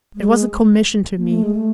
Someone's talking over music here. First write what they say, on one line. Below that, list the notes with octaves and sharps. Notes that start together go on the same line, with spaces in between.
It was a commission to me!
G#3
A#3
A3
G#3
A3